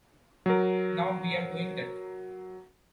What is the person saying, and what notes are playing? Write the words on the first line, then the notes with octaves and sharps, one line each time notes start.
Now we're doing that.
F#3 A#4